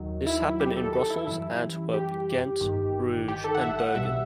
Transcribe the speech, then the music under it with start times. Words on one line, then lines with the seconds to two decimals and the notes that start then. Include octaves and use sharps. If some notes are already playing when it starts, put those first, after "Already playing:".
This happened in Brussels, Antwerp, Ghent, Bruge and Bergen.
Already playing: D#2 D#3 F#3
0.27 E4
0.60 G4
0.77 A4
0.93 A4
1.10 E4
1.27 F#2 E3 G3 E4
1.94 G4
2.61 G1 G2 D#3
3.28 G4
3.44 A4
3.55 F#5
3.61 E5
3.79 F#5
3.95 C2 B2 G3 E5